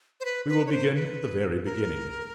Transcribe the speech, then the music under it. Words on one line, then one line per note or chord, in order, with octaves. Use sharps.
We will begin at the very beginning.
C5
B4
B4
C#5
C5
B4
A#4